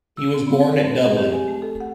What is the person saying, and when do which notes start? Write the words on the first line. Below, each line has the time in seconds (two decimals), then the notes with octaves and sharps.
He was born at Dublin.
0.17 E6
0.34 C4
0.47 B3
0.60 A4
0.73 B4
0.88 C4
1.03 G#4
1.17 G4
1.33 G#5
1.48 A3
1.62 A4
1.80 F#5